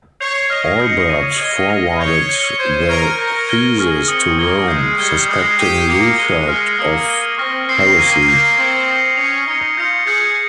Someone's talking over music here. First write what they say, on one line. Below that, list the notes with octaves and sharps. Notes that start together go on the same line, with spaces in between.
Albert forwarded the theses to Rome, suspecting Luther of heresy.
C#5 G6 C7 F7
D#5 F6 A#6 F7
D#5 D#6 G6 C#7
C#5 D#6 A#6 D#7
D#5 G#6 D#7 G7
F6 A#6 F7
C#5 G6 A#6 C#7 G7
G#6 C#7 G7
C5 G#6 D#7 G7
A#4 C#6 F6 G#6 D#7 G7
A#4 G6 A#6 C#7
F6 G#6 D#7 G7
G#4 C#6 F6 A#6
C4 D#6 A#6 C#7 G7
A#3 D#6 G#6 C#7 G7
G#3 G6 C7 G7
G3 G#6 C#7 G7
G#3 D#6 G6 C7
G4 G#6 D#7 G7
A#3 F6 A#6 C#7 F7
G#3 G#6 D#7 G7
G#3 F6 A#6 C#7 G7
A#3 D#6 G#6 C#7 G7
G#6 D#7 G7
C4 C#6 F6 A#6
C4 F6 C7 G7
A#3 G#6 D#7 G7
A#3 G6 A#6 F7
C4 G#6 C#7 G7
D#6 A#6 C#7 G7
C#4 G6 C#7 F7
D#4 G#6 C#7 G7
F4 G6 A#6 C#7 F7
G#4 G6 C#7 F7